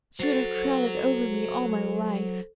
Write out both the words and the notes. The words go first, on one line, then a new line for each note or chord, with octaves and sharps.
She would have crowed over me all my life.
F#3 F#4 A4 C5